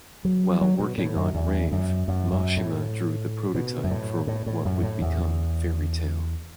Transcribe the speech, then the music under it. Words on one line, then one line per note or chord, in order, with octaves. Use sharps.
While working on "Rave", Mashima drew the prototype for what would become "Fairy Tail".
F#3
F#3
B2
A2
F#2
E2
F#2
F#2
F#2
A2
B2
F#2
A2
A2
A2
F#2
A2
E2